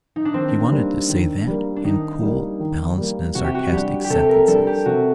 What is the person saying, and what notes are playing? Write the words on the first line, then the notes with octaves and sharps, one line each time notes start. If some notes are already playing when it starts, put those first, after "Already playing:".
She wanted to say that in cool, balanced and sarcastic sentences.
D#4
D4
D#3 C4
G3 A#3
D#3
G3 A#3
D4
D#3 D#4
G3 A#3
D#3
G3 A#3
C3 F#4
G4
F#4
G3 D4 G4
G4
C3 A4
A#4
G3 D4 A4
G4
C3 F#4